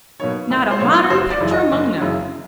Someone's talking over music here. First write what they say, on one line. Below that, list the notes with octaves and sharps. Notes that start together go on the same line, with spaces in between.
Not a modern picture among them.
B2 F#3 A#3 D#4 C#5
C2
C5
B2 F#3 A#3 D#4 C#5
F#1 C5
D5
F#2 C#3 E3
D#5
F#1
F#2 C#3 E3